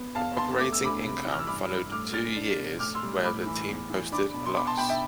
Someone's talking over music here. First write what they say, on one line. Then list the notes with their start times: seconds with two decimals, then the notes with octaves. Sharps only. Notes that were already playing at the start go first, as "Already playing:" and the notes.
The operating income followed two years where the team posted a loss.
Already playing: B3
0.15 E2 F5 A5
0.38 B3 A5 C6
0.59 A3 D6
0.72 E6
0.81 D2 B5 D6
1.03 C3
1.25 E3
1.32 F6
1.39 E6
1.47 G2 B5 D6
1.70 G2
1.92 A2 D6 F6
2.13 A2 F6 A6
2.36 D4
2.57 B2
2.79 A2 D6 F6
2.94 C6 E6
3.02 G3
3.24 A2 B5 D6
3.45 E3
3.68 E2
3.89 E3
4.12 D4 B5 D6
4.34 B2
4.46 C6
4.56 B2 B5 D6
4.67 A5 C6
4.77 B2 G5 B5
4.89 E5 G5